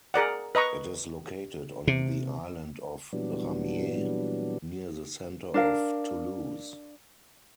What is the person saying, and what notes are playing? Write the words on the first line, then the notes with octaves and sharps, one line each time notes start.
It is located on the island of Ramier near the centre of Toulouse.
G#4 A#4 D5 F#5
B4 D#5 A#5 C#6
C3
A#2 E3 F#3 G3 B3 D4
D4 A#4 F5